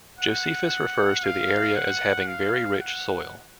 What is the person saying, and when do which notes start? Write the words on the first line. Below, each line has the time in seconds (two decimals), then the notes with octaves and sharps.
Josephus refers to the area as having very rich soil.
0.19 F#5
1.24 F5
1.76 F#5
2.28 F5
2.80 F#5